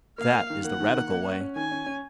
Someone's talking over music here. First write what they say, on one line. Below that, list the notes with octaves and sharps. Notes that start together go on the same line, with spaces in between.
That is the radical way.
A#3 F5
A#3
D#3
A#3 F#5
D#3
A#3
A#3
C#4
C#4
D#3 G#5
C#4
C#4